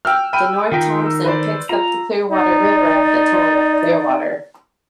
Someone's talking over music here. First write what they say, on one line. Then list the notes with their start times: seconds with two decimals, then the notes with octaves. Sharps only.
The North Thompson picks up the Clearwater River at the town of Clearwater.
0.05 G5 E6 F6
0.33 G5 B5 D#7
0.72 D#3 D#4 F4 A#4 G5 B6
1.06 E6
1.24 B4 C5 D5
1.69 F4 A#5
2.31 D#4 D5